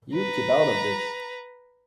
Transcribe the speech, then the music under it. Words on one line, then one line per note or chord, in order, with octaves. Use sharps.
You keep out of this.
B4 A#5